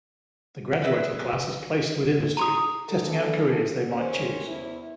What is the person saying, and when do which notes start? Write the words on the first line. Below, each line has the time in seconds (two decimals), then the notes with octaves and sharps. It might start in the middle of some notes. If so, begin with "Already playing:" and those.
The graduating class is placed with industry, testing out careers they might choose.
0.82 B4 D#5 E5
2.37 A#5 C6 D#6
2.89 D3 E3 A#3 G#4 A4
3.88 D#2 C#4 C5
4.46 E2 E4 C5